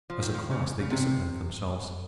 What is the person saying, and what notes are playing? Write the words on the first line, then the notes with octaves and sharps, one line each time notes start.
As a class, they disciplined themselves.
F3
D#3
F3
C#3
C#3
C3